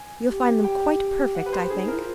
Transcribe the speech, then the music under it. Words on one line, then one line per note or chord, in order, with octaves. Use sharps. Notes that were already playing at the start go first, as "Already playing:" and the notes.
"You'll find them quite perfect, I think."
Already playing: G#5
G4
G5
F#5
B4
C5
D4 G#4
D#4
E4 A#4
F4